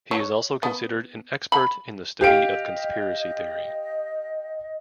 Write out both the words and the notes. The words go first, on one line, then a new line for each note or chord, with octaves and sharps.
He is considered an expert in the study of conspiracy theory.
C#5
B3
B5
G4 D#5 F5 D7